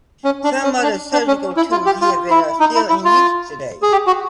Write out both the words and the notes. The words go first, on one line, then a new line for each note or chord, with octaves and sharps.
Some of the surgical tools he invented are still in use today.
C#4
D4
C#4
D4
D4
C#4
E4
F4
G4
F4
E4
D#4
E4
E4
F4
G#4
G4
F#4